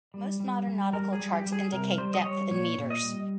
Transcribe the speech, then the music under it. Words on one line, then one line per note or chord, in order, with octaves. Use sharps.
Most modern nautical charts indicate depth in metres.
G3
G3
G3
G3 A#4
G#4
G3
G4
G3
G#4
C3 A#4
G3 C5
D#5
G3 C#5
A#2 C#5
A#2
D#5
G3